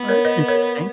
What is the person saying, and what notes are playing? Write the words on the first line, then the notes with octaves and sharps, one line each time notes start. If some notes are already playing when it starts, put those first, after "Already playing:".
Well, that's interesting.
Already playing: B3
A#4 C#5
B4 D#5
A#4 C#5